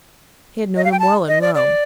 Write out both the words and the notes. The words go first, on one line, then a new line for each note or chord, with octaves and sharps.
He had known him well in Rome.
D#5
F5
G5
A5
D#5
D5
D5